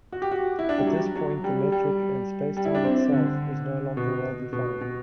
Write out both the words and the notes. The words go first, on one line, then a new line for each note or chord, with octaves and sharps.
At this point the metric, and spacetime itself, is no longer well-defined.
F#4
G4
F#4
E4
D4
G3
F#3
F#3
G3
G3
G3
E4
D4
C4
D3
B2
B2
B2